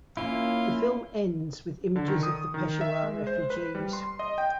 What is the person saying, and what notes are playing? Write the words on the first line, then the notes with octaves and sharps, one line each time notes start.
The film ends with images of the Peshawar refugees.
A#3 C#4 E4 F4
D3
D#3
D#6
D#3
E5
G#3
C5
B4
G3
C6
D#5
G5